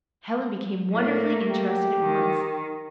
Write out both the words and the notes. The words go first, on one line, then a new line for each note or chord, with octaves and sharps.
Helen became wonderfully interested at once.
A2 A3 A#3
G4
D#3